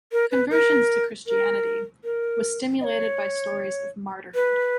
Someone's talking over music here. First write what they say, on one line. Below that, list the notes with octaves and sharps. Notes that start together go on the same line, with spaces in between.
Conversions to Christianity, was stimulated by stories of martyrhood.
A#4
B4
A#4
A#4
A#4
D#5
C#5
B4